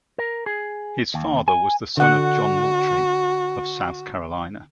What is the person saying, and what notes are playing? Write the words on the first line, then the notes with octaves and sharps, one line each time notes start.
His father was the son of John Moultrie of South Carolina.
A#4
G#4
D#2
G#5
D3 F#4 F#5